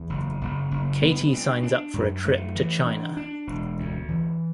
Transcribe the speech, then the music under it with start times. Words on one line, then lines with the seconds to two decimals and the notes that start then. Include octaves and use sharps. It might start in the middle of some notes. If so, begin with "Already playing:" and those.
Katie signs up for a trip to China.
Already playing: E2
0.10 F#1
0.41 F#1
0.71 F#1
1.02 B3
1.33 D4
1.63 D4
1.94 F#2
2.25 A3
2.55 E3
2.86 D4
3.17 D4
3.47 E1
3.78 D2
4.08 E3